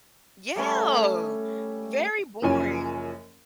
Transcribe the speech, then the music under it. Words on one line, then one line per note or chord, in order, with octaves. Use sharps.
Yeah! Very boring.
G3 A3 C#4
F#1 F#2 F3 C#5 G#5